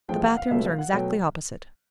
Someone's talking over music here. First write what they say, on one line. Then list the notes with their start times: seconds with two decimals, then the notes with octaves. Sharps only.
"The bathrooms are exactly opposite."
0.08 A1 A2 F3 G#3 G5
0.23 F#5
0.37 F5
0.51 C#2 B2 F#3 A3 E5
0.65 F5
0.78 F#5
0.93 B2 F#3 A3 G5